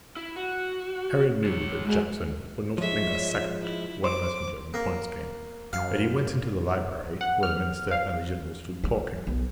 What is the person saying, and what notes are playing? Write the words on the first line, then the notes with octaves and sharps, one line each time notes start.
Harry knew that Jackson would not linger a second, when a messenger of importance came, and he went into the library where the minister and the general stood talking.
E4
F#4
G#3 C#5
A#2 G#3 F#4
F3 G#3 C#5 E5
E4
C5 D6
A#3
F#2 F5
F#5
F6
F5
G3
B1